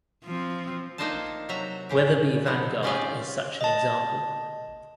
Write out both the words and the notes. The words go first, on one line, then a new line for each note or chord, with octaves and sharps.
Weatherby Vanguard is such an example.
F3 C4
A#3 D4 D#4 F4 C5 A5
C3 F#3 E5 A#5
A2 C#3 G4
D3 F3 B3 D#4
C4 C#4 F4 G4 G#4 D5
D#5 A5